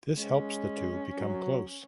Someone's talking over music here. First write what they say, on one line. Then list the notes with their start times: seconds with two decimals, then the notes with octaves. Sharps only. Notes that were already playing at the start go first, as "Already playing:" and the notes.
This helps the two become close.
0.18 G#3 C#4
1.18 F#3